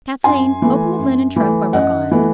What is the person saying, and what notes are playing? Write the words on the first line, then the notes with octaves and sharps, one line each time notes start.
Kathleen, open the linen trunk while we're gone.
F#2 G#5 C6
E3 A3
F#2
E3 A3
F#2 D#5 F#5
E3 A3